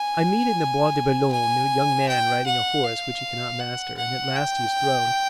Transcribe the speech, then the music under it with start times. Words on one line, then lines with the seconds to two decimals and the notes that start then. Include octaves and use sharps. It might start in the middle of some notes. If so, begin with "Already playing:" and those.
I meet in the Bois de Boulogne a young man riding a horse which he cannot master, and at last he is thrown.
Already playing: G#5
1.32 G#5
2.08 G5
2.46 F#5
2.84 F5
3.60 F#5
3.97 F#5
4.36 G5